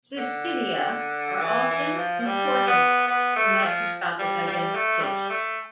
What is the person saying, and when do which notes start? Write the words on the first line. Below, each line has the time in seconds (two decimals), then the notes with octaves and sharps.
Cystidia are often important for microscopic identification.
0.17 D3
1.41 E3
1.70 E3
1.97 F3
2.19 F3
2.26 G3
2.67 B3
3.08 B3
3.36 A3
3.64 F3
4.19 G3
4.47 G3
4.75 A3
5.02 G3
5.30 A3